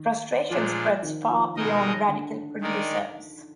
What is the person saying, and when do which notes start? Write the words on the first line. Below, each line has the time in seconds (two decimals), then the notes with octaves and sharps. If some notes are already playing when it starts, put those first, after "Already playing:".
Frustration spreads far beyond radical producers.
Already playing: D#3
0.50 A#2 F3 G#3 D4 F4
1.03 D#3
1.29 F3
1.56 B2 D#3 G#3 D#4 A#4 D#5
2.08 D3
2.61 D#3 G#3 D#4 A#4 D5